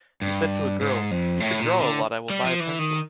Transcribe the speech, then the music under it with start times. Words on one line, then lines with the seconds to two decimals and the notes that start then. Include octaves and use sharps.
He said to a girl, “You should draw a lot I will buy a pencil”.
0.22 G2
0.81 G#2
1.11 F2
1.40 A2
1.60 A#2
1.80 D3
2.30 G3
2.45 F3
2.60 E3
2.79 D#3